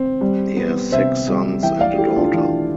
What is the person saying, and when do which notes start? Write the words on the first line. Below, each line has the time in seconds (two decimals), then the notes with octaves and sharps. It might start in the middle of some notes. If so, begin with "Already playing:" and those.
He has six sons and a daughter.
Already playing: C4
0.21 G3
0.57 B3
0.92 C3 C5 E5
1.28 G3
1.63 E3 E5 G5
1.81 D5 F5
1.98 A3 E4 G4
2.16 D4 F4
2.33 E3 D4 F4